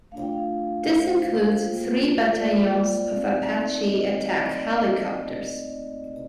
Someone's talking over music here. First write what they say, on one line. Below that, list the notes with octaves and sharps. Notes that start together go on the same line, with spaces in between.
This includes three battalions of Apache attack helicopters.
A3 D4 F4 F5
G5
F5
C5
A#3 F4
D5
A3 C4 D#4
D#5